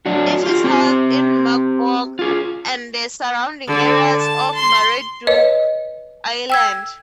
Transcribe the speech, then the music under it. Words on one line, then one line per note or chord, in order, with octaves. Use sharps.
It is held in Mogpog and the surrounding areas of Marinduque island.
F#3 D4 F#4
F4 G4
C4 G4 C5
F4 G#4
D3
A5
C6
B4 C#5 D#5
G5 E6 G#6